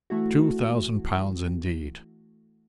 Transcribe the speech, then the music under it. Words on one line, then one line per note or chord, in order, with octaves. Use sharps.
Two thousand pounds indeed!
E3 A3 E4 F#4